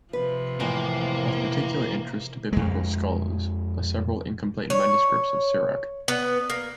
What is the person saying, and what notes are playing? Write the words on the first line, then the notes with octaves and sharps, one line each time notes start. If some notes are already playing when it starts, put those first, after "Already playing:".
Of particular interest to biblical scholars are several incomplete manuscripts of Sirach.
C3 F3 B4
F2 A2 E3 A#3
F2 G#3
C#5
B3
A#3